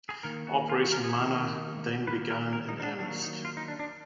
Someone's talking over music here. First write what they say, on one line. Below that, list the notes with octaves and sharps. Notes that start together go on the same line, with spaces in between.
Operation Manna then began in earnest.
G#4
D#3 A#3 A#4
F#4
F4
F#4
A#4
G#4
D#3 A#3
D#3 A#3 B4
A#4
A#4
D#4
D#4
D4
D#3 F#3 A#3 D4
D#4
F4
D#4
D4
D4